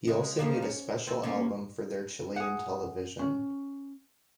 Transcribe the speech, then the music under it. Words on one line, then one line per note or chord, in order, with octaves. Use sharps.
He also made a special album for their Chilean television.
C#3 G#3
D#3 F3 A#3
C#4
D#2 C4
A3 A#3 C#4
G#4 F#5
C#4